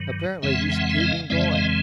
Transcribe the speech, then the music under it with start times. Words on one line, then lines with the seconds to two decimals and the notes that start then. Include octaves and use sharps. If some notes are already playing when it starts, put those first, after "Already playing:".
Apparently he's keeping going.
Already playing: G2 D#3 F#3
0.42 F2 C#3 E3 G#3 C4 E5 F#5
0.72 E5 F#5
0.89 E5
1.00 D#5 F5
1.30 F2 C#3 E3 G#3 C4 D5 E5
1.51 D#5 F5